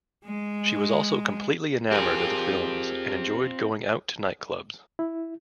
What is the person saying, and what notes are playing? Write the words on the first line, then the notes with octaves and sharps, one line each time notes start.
She was also completely enamored of the films and enjoyed going out to nightclubs.
G#3
C4 F4 G4 G#4 A#4
E4